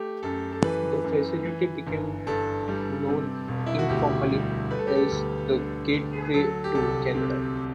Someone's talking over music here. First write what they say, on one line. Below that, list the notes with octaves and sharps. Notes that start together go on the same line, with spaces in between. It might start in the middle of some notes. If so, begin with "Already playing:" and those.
The facility became known informally as the 'Gateway to Canada.
Already playing: A3 G4
F#2 A4
A4
E3 B4
F#2
E3
G1
G2 A4
G3
C3
E1
E4
F#4
D2 G4
G3
A3 B4
A4
G4
A4
D2
D3
D2
F#3 A4
G4
C2 A4
C3